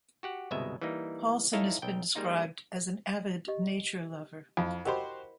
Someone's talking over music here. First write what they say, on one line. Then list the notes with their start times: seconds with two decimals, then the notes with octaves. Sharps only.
Paulson has been described as an avid nature lover.
0.23 F#4 G4 F#5
0.51 G1 C2 B2 G#3 E5
0.81 E3 G3 A#3 D#4
1.53 D#4 E4 A4 C#5 D#5 F5
1.82 B1 G5
2.15 G3 G#3 A#3 D#4 F4
3.48 G4 D#5
4.57 F2 E4 F5 B5
4.85 F#4 G4 A#4 C5 D#5 B5